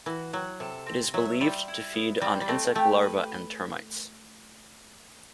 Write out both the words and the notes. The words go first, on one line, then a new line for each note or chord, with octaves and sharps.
It is believed to feed on insect larvae and termites.
E3 F#4
F#3 F#5
C3 A4
C4
F#3 E5
G3 C5
E4
B3
G3 C4
G3
A3 C4
A3 G4
B4